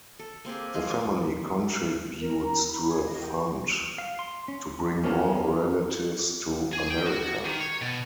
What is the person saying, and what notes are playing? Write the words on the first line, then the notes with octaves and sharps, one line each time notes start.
The family contributes to a fund to bring more relatives to America.
A4
A#3 C4 G4 G#4
F3 G#3 G#4 C5
A#4
A#5
B5
G#4
D#5
G5
C#6
F5
C6
C#4
E2 F3 A#3 C#4
G#4
G5
F#4
D#3
C#5
B2